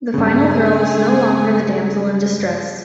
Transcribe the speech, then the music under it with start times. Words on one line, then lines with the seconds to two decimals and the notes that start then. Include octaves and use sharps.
The final girl is no longer the damsel in distress.
0.14 G2 C#3 G#3 G#4